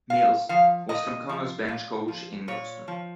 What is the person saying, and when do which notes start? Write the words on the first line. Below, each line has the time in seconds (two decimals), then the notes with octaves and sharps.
Mills was Francona's bench coach in Boston.
0.10 A#2 F5
0.49 F3 F5
0.89 A#2 D#5
1.29 F3
1.68 A#2
2.08 F3
2.48 A#2 C#5
2.88 F3